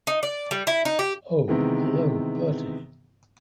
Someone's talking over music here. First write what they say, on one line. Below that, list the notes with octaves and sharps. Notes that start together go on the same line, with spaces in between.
Oh, hullo, Bertie.
D#4
D5
G3
E4
D#4
G4
C3 D#3 E3 G#3 B3 C4